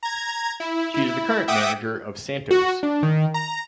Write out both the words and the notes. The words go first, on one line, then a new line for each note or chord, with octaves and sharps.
She is the current manager of Santos.
A#5 G#6
E4
E4
E5 F#5 G5 D6 D#6
F#4
D4
D#3
A#5